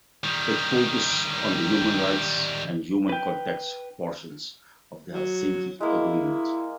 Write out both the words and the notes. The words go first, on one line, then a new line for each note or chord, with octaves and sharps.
It focused on the human rights and human contacts portions of the Helsinki Agreement.
D#3 G3
B4 G5
F#3
G#3 A#3 E4